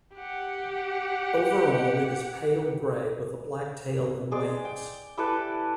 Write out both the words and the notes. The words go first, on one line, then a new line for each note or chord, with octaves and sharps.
Overall it is pale grey with a black tail and wings.
G4 F#5
G#3 G#4 D5
G5
E4 G4 A4 B4